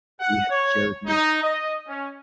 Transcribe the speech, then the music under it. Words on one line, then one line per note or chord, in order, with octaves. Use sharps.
that we had to share with me,
F#5
C#5
D#4
D#5
C#4